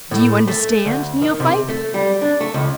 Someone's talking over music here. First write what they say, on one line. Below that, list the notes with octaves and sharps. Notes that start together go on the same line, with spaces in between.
Do you understand, Neophyte?
A2
A3
D2
D#3
C3
A3
G3
D4
A3
C#2